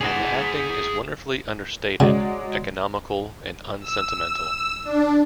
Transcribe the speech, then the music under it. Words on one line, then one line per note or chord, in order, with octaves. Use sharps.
And the acting is wonderfully understated, economical and unsentimental.
G#4 F#5
C#3 F#3 G#3 D5
E6
D4